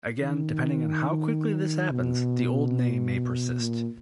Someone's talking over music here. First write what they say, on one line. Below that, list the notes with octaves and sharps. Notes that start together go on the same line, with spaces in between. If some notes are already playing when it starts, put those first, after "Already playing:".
Again, depending on how quickly this happens, the old name may persist.
D#3
B2
A#2